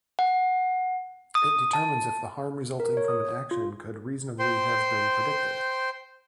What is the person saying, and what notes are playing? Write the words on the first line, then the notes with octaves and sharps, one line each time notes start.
It determines if the harm resulting from an action could reasonably have been predicted.
F#5
D#6
A5
A#4
C#5
D#6
F4
C5 G5 C6